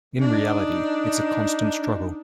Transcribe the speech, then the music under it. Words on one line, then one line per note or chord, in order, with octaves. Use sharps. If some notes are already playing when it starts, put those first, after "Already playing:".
In reality, it's a constant struggle.
D4 D#4